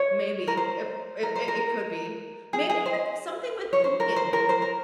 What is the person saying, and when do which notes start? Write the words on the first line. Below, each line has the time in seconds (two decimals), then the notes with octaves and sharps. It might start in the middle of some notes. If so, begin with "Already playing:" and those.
Maybe. Ip it it it could be. Maybe, like, something with pumpkin.
Already playing: C#5
0.48 A#4
0.57 C5
1.23 A#4
1.36 C5
1.48 A#4
2.53 G#4
2.70 G#4
2.86 C5
3.73 C#5
3.84 C5
4.00 A#4
4.16 C5
4.33 A#4
4.49 C5
4.62 A#4